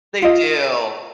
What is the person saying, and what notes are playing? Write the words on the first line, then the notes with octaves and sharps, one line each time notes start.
they do.
F4 D#5